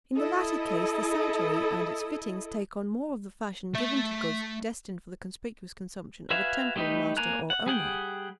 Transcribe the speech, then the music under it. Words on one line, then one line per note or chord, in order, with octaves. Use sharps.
In the latter case the sanctuary and its fittings take on more of the fashion given to goods destined for the conspicuous consumption of a temporal master or owner.
E4 A4 D#5
A3 E5
F#4 B4 E5 F5 G#5
G3 A3 D#4 G4 B4
A#3 G#5 A#5 F#6
F#5
G3 G#4 F#5 G5